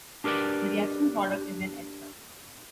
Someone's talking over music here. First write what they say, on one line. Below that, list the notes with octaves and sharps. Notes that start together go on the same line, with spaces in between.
The reaction product is an ester.
D4 G4 A#4 B4 D5